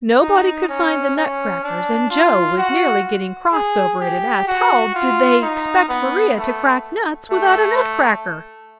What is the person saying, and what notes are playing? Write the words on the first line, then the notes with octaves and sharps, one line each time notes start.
Nobody could find the nutcrackers and Joe was nearly getting cross over it and asked how did they expect Maria to crack nuts without a nutcracker.
D#4
C#4
C#4
D4
F4
F#4
G#4
G4
F#4
F4
D#4
B3
A3
A3